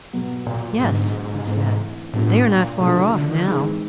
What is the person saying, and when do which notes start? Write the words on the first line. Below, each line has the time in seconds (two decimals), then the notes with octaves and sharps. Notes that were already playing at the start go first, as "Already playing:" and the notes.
'Yes,' he said, 'they are not far off now.'
0.13 B2 F#3 B3
0.47 A#2
0.79 G#2 D3 F#3 B3
1.47 E3 A3 C4
2.13 A2 G3 B3 D4 F4
2.48 A#2
2.80 B2 F#3 A3 D4 F4
2.97 C#3
3.14 D3
3.31 D#3
3.47 D#3 E3 G#3 C4 D#4 G#4